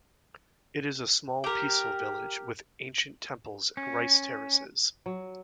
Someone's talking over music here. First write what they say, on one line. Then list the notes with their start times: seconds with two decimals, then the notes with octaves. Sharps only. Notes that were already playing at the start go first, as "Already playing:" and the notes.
It is a small, peaceful village with ancient temples and rice terraces.
1.44 G4 A#4
3.77 C#4
5.06 F#3